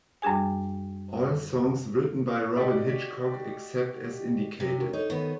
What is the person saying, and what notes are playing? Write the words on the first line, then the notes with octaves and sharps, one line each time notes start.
All songs written by Robyn Hitchcock except as indicated.
F#2 G3 D4 G#4 G#5
F#4 G4 D5 D#5
C3
D4 F#4 A#4
D#4 A4 C#5
D#3 B3